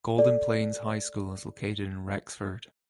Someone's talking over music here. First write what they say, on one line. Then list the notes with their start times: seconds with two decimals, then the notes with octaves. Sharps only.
Golden Plains High School is located in Rexford.
0.18 A4 D5